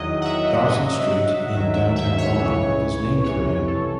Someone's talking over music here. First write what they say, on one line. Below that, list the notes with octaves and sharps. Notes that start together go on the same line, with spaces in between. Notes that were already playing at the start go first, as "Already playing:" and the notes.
Dawson Street in downtown Raleigh is named for him.
Already playing: E2 D#3 F#3 D#5
F#5
E5
D#5
G#2 F#3 D#5
E5
F#5
E5
D#2 D#3 F#3 E5
E5
E5
C#5
C#2 C#3 E3
C2 C3 E3 C#5
A4